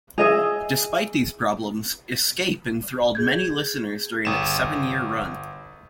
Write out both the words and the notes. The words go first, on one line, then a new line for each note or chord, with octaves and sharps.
Despite these problems, "Escape" enthralled many listeners during its seven-year run.
G#4 D#5 E5
G#4 G6 G#6
G1 E7